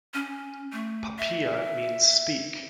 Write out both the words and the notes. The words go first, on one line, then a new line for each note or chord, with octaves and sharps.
Papia means speak.
C#4
A3
E5